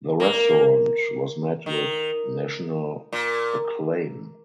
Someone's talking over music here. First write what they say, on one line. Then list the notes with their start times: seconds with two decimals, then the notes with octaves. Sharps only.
The restaurant was met with national acclaim.
0.20 A#3
1.66 D#3
3.13 A#2